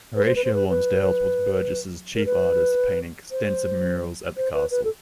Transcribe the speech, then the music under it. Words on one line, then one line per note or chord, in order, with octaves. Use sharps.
Horatio Lonsdale was Burges's chief artist, painting extensive murals at the castle.
B4
C5
B4
C5
B4
B4
A#4
B4
C5
C5
B4
B4
A4